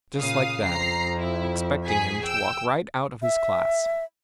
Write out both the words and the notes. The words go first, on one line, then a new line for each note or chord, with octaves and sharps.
Just like that; expected him to walk right out of his class.
A#2 C#3 F5 D#6
F2 A#5 C7
E4
G#4 G#5 B6
G5 E6
E5